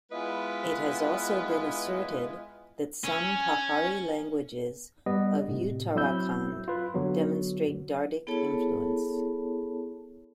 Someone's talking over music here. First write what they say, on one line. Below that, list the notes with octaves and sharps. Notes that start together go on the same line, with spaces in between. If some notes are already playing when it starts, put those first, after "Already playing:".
It has also been asserted that some Pahari languages of Uttarakhand demonstrate Dardic influence.
G#3 B3 E4 F4 B4 D#5
C#4
G3 B3 D#5
A2 C3
F#3 C4 E4 E6 G6
F4 B4
D3 F#3 B3
B3 E4 G#4 A4 C#5 A5